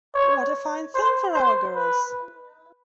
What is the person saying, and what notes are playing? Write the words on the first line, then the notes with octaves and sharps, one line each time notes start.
What a fine thing for our girls!
C#5
C5
C5
B4